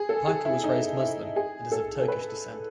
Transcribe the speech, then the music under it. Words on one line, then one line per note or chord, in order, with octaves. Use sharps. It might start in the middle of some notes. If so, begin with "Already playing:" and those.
Piker was raised Muslim and is of Turkish descent.
Already playing: G#4
A4
G#4
E4
D#4
E4
G#4
A4
A4
B4